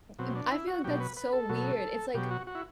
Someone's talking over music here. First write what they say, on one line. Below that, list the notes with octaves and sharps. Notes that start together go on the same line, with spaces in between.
And I feel like that's so weird. It's like
B2 F#3 C4
D4
E4
F#4
B2 F#3 G4
B4
B4
A4
B2 F#3
B2 F#3 G4
F#4
F#4
E4